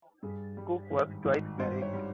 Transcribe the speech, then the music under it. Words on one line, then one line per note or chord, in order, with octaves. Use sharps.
Cook was twice married.
G2 G#4
G3
G#1
G#1
G2 C5
C#5
G3